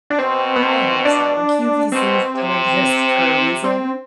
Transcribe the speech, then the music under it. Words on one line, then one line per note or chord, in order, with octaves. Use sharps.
I hope so. QVC still exists for a reason.
D4
B2 C4
B3
C4
D4
B2 C4
C3
C4